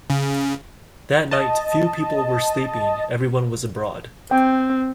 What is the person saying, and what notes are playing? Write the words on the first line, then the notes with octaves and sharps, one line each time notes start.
That night few people were sleeping, everyone was abroad.
C#3
D#5 A5
C4 G5